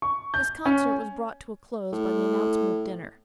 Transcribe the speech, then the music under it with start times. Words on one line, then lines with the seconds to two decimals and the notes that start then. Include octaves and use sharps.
This concert was brought to a close by the announcement of dinner.
0.02 C#6
0.34 G6
0.66 C#4
1.93 A2